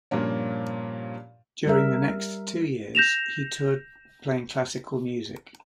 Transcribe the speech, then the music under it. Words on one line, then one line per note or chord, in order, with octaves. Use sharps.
During the next two years, he toured playing classical music.
G2 A#2 F3 A#3 C#4
G3 A#4 E5
G6 A#6 E7 F7